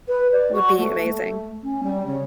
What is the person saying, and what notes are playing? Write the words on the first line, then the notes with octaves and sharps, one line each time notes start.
would be amazing.
B4
D5
F#4
A3
A3
C#4
G3
C#3